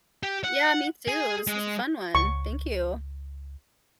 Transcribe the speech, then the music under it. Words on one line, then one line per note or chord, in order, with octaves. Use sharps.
Yeah, me too, this was a fun one, thank you.
G4
F#5
G#4
G#3
C#2 C#6